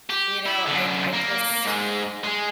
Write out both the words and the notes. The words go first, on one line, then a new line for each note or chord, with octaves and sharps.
You know, I'd I just
G4
E4
F#2 D3
A#3
G#2 G#3
G#3